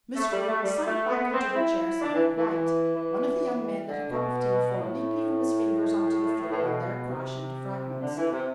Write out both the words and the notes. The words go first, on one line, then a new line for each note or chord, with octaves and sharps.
Miss Greene sank back into her chair, suddenly white. One of the young men let a cup of tea fall neatly from his fingers on to the floor and there crash into fragments.
A3
G3
A3
G3
A3
B3
C4
E4
D4
E3
E3
E3
E3
D3
B2
A2
A2
B2
C3
D3
E3
C3